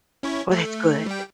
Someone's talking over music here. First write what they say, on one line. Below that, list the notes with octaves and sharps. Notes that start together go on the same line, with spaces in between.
Oh, that's good.
C#4 E4 C#5
A3
G3 G5